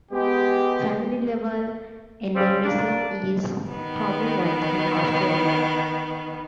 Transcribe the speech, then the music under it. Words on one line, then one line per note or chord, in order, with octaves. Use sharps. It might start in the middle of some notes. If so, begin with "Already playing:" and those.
Family-level endemism is prominent in Australia.
G#3 B3 G4
C#3 G3 C4
A#3 D4
D#3 B3